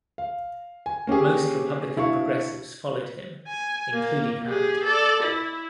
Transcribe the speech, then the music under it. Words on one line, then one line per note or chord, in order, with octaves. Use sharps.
Most Republican progressives followed him, including Hand.
F5
G#5
A#3 C#4 G4 G#4
D4 E4 F5 C#6
G#5
A#3
G4 G#4
A4 D5
E4